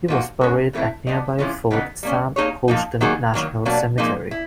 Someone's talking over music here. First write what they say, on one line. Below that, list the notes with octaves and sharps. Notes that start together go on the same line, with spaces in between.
He was buried at nearby Fort Sam Houston National Cemetery.
F3 A#3 D#4 F#4
G#3 C#4 F#4 A#4
C#3 E3 A3 C4 E4
B3 D4 G4 C5 D#5
C3 E3 G#3 C#4 F4
C#3 E3 G#3 B3 D#4
G3 A#3 C#4
A#3 D#4 G#4 C#5
F3 A#3 D#4
D#3 F#3 A#3 D#4 G#4
D#3 F#3 A#3
B2 F#3 A#3 D4
A#2 F3 A#3 D#4 G#4
E4